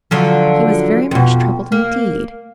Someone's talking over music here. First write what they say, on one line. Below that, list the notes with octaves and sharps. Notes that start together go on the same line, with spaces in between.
He was very much troubled, indeed.
D3 F3 F#3
F2 B2
A#3